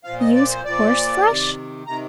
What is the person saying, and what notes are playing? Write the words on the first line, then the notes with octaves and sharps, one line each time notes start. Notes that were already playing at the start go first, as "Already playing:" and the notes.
Use horseflesh?
A#2 F3 F5
D#5
D5
C5
A#2 F3 D5
C3 D#3
C3 D#3 A#5